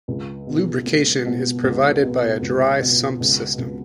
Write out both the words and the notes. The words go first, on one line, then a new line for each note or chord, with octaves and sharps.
Lubrication is provided by a dry sump system.
C#2
B2
A#3
B2
C#2
B2
C#2
B2
C#2
C#2